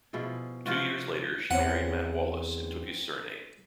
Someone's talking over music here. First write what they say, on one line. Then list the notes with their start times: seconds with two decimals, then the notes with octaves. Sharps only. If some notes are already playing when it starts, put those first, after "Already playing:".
Two years later she married Matt Wallace and took his surname.
0.13 B2 F3 E4 G#4
0.65 C3 F3 F4 F#4
1.51 E2 C4 C#5 F#5